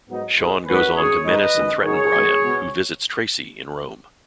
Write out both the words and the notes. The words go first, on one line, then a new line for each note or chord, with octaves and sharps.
Sean goes on to menace and threaten Brian, who visits Tracy in Rome.
G#2 F#3 B3 D#4
B1 B2 G#3
D#2 D#3 G#3 C#4 F#4 B4
G#1 F#2 D#3 F#3 C#4 G#4 C#5
G#1 G#2 F#3 D#4 B4 D#5
F#1 F#2 D#3 G#3
G#2 D#3 F#3 D#4 G#4 C#5
F#2 D#3 G#3 B3
C#2 B2 F#3 B3